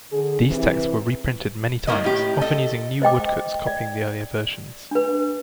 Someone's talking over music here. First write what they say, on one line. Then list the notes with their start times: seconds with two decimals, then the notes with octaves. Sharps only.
These texts were reprinted many times, often using new woodcuts copying the earlier versions.
0.12 D3 G#4
0.48 C3 E3
1.87 A2 D#3 A3 A#3 D#5
2.04 A2 G4
2.41 A4 D#5
3.02 C5 D#5 G5 D6
3.67 D5
4.91 D4 B4